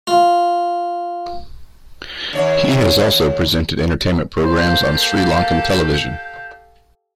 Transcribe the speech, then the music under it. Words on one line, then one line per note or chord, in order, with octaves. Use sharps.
He has also presented entertainment programmes on Sri Lankan television.
F4
D#2 C#5
A#3 G4 A4 C5 F5 G6